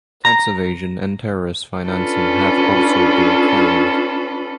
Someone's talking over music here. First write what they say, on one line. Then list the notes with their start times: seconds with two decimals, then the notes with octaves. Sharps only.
Tax evasion and terrorist financing have also been claimed.
0.25 A#5
1.87 C#4 D4 F4 A4 B4